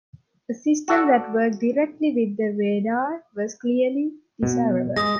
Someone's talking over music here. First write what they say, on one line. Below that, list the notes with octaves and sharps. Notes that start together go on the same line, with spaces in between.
A system that worked directly with the radar was clearly desirable.
F#4 A4 D5
B2
G#3 D#6 A#6